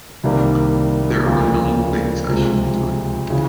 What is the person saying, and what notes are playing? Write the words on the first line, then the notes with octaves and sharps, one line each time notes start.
There are a million things I should be doing.
C2 C3 D#3 G3 A#3
D2 C#3 F3 A#3
C#2 C3 F3 G#3
C#3 E3